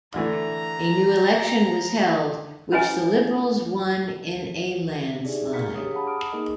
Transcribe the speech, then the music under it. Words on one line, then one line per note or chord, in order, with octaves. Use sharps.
A new election was held, which the Liberals won in a landslide.
D3 E3 A3 A#5
C#4 E4 B4 D#5 G#5
D4 D#4 G4 G#4 D5 E5
A#4 F5 A#5 F6 B6 C#7
D4 G4 G#4 C#5 A#5 D#6
F#5 A5 B5
D6 D#6 F6 D7
A#3 D#4 G#4 A#4 D#5